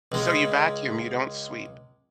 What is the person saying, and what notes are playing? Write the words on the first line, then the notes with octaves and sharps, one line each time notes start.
So you vacuum, you don't sweep.
C#2 G#3